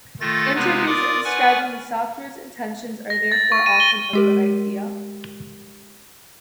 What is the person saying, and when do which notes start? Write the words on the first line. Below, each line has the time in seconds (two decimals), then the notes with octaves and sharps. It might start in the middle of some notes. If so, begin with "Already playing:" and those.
Interfaces describing the software’s intentions are therefore often a good idea.
0.21 D#3 A3 F4 A4 A6 A#6
0.56 C3 G#3 B3 C4 D#4 B4
0.86 F4 A#4 D5 D6 D#6
1.25 B4 D5 F#5 G#5 C#6 F6
3.10 A#6
3.32 A6
3.52 C#6
3.66 D#7
3.80 G7
4.13 G#3 G4 A#4